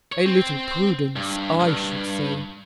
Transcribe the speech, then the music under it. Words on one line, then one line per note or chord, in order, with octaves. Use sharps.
"A little prudence I should say."
C#5
C4
G2
C#2 G2